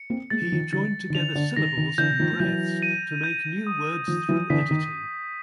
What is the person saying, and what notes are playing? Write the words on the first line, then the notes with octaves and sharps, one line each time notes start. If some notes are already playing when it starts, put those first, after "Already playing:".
He joined together syllables and breaths to make new words through editing.
Already playing: C#7
A#3 C4
G#3 A#3 A6
E3
D#3 F3
D3 E3 A6
D#3
D3 F7
D3
D#3 A#6
D#3
D3 E3 G6
D#3 F3
F3
E3 F#3 G6
D#7
G6
D#6
D#3 F3 D#6
E3 F#3
D3 E3 B6
D#3